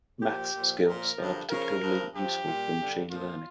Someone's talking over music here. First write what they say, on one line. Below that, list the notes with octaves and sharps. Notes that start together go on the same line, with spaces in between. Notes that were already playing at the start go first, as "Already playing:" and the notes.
Maths skills are particularly useful for machine learning.
A#2 F3 G4
A#2 F3
A#2 F3 A#4
G2 D3 F3
C#3 F3 A#4
G2 F3
G2 F3 G4
A#2 G3
G2 D3 G3
A#2 F3 F4